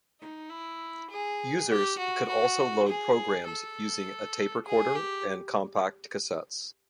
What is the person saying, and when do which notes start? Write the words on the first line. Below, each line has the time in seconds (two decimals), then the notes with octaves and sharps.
Users could also load programs using a tape recorder and compact cassettes.
0.21 D#4
0.50 E4
1.10 G#4
1.69 G4
1.98 F#4
2.28 F#4
2.88 G#4
3.47 A4
4.65 G#4
4.95 G4